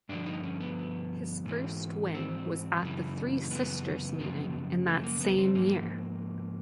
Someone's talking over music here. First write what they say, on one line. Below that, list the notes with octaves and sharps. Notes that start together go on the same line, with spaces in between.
His first win was at the Three Sisters meeting in that same year.
G2 D3 F3 D4
D#4
C#4
B3
G#2 E3
C4
F#2 C#3 E3
B3
F#2 C#3 F3
A3
A#3
B3
C4
G#2 F3 A#3